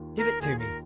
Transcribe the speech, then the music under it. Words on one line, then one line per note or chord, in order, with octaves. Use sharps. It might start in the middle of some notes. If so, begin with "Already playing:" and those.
Give it to me!
Already playing: D#2 D#3 A#3 F4
A#4
D#2 D#3 A#3 F4 G#4
A#4